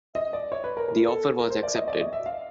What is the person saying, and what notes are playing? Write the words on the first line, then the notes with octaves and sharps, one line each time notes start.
The offer was accepted.
D#5
D5
C#5
B4
A#4
A#4
A4
A#4
C5
D5
D#5
D5
D#5
E5
F5